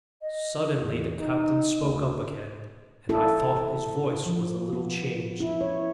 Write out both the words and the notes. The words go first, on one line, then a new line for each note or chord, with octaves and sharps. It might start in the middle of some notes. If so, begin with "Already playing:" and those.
Suddenly the captain spoke up again, and I thought his voice was a little changed.
D#5
E2
D#4
D2
E4 A4
F3
B3
E4
C#5